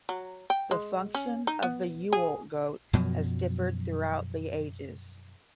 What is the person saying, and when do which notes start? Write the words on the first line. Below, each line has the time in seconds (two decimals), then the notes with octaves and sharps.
The function of the Yule goat has differed throughout the ages.
0.09 F#3
0.50 G5
0.71 G#3
1.14 C#4
1.47 D#4
1.63 B3
2.13 G#4
2.93 F#2 B2 F3 F#3